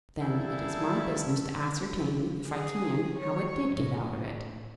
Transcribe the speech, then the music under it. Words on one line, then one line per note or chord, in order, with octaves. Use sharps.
Then it is my business to ascertain, if I can, how it did get out of it.
G3 A#3 D4 E4 G#4 A4
G#4
C#5
A2